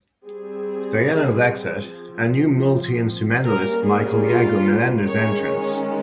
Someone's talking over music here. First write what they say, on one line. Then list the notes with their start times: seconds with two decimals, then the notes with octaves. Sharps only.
Staiano's exit, and new multi-instrumentalist Michael Iago Mellender's entrance.
0.25 G3 C4 G#4
1.85 F3 C4
3.45 G3 A#3 C#4 A#4
3.85 G#4
4.25 F4
5.05 D#3 G#3 C#4 C#5